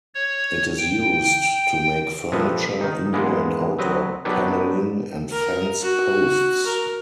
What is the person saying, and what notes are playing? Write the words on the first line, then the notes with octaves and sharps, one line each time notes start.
It is used to make furniture, indoor and outdoor panelling, and fence posts.
C#5
G5
A#1 C3 F3 A4 B4 D#5
D#3 D#4
G#2 E3 G#3 A#3 B3
F#3 C4 B4 D#5
F#3 B3 D4 D#4 G4 B4
A#4
F#4
A#4